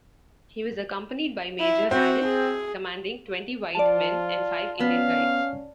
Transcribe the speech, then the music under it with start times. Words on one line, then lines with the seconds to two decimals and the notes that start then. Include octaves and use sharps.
He was accompanied by Major Harris, commanding twenty white men, and five Indian guides.
1.60 E4
1.91 C4 F#4
2.25 G#4
3.75 F3 F4 D5 A5
4.80 B3 C#4 F5